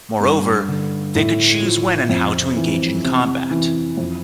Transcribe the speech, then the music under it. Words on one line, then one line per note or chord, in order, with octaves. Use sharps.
Moreover, they could choose when and how to engage in combat.
G2
D3
A2
F3
F2
E3
C3
E3
F2